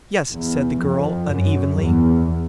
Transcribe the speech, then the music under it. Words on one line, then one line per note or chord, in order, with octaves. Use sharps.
"Yes," said the girl unevenly.
E2
F2
F#2
E2